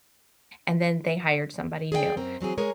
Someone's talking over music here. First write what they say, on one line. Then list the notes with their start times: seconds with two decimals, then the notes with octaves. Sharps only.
and then they hired somebody new
1.92 G#4 D5 E5 G5
2.17 F#2 C4 A#4
2.41 E3 F#3 C4 G#4
2.58 G#3 G#4 A#4 C#5